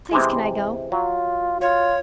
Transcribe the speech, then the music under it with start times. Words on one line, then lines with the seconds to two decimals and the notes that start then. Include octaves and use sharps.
Please can I go?
0.11 C3 E3 G#3
0.92 F#3 F4
1.61 F4 C#5